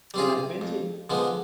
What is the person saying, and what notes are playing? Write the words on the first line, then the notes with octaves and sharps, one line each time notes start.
And I've been to
G3 C4 F4 G#4
F2
D3 F3 G#3 B3